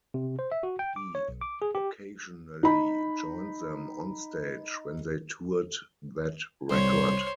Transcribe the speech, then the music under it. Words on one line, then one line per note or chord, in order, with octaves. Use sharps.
He occasionally joined them on stage when they toured that record.
C3
C5
E5
F#4
G5
D6
C#5
B1
D6
G#4
G4
D#4 B5
C2 C5 C#5